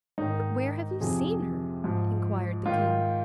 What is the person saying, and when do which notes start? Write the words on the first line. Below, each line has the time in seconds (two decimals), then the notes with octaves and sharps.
"But where have you seen her?" enquired the King.
0.18 G#2 D#3 D#4
1.01 F2 C3 F3 G#4
1.84 G#2 F3
2.66 G#2 D#3 F4